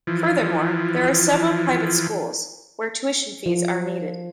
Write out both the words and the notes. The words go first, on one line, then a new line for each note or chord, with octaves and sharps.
Furthermore, there are several private schools, where tuition fees are needed.
E3 F3
F3